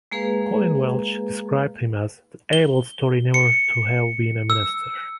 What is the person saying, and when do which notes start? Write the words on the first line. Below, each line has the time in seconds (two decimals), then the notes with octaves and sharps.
Colin Welch described him as "the ablest Tory never to have been a minister".
0.12 G#3 A#3 G#4 B4 F5
2.53 G7
3.34 C#7
4.50 E6